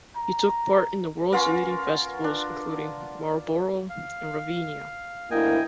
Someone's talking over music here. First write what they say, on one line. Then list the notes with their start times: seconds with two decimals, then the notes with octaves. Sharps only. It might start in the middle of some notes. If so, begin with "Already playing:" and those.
He took part in the world's leading festivals, including Marlboro and Ravinia.
0.16 A#5
1.33 C#4 F4 A#4 B4 F#5 C6
2.24 D4
3.90 F5
5.31 D2 A#3 E4 D#5 G5 G#5